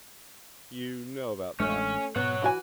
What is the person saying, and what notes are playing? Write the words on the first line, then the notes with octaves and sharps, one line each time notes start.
"You know about that?"
A1 G#3 A3 C#4 D4
G#2 B2 B3 C#5 F#5
E3 F#4 G#5